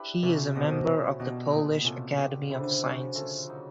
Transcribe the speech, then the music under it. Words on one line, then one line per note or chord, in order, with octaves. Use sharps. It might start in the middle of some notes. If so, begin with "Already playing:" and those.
He is a member of the Polish Academy of Sciences.
Already playing: D4 E4 G4 B4
C3 F#3 A3 C#4 F4
B2 D#4 G4 C5
F#3 A3 C#4 E4
B2 D4 G4 A#4 D5
A#2 B3 D#4 G#4
B2
C3 C#4 F4 A4
B3 D4 G4
C#3 C4 E4 A4
D3
F3 A#3 C#4 F#4
A3 C#4 F4 A4
F#3 A#3 D#4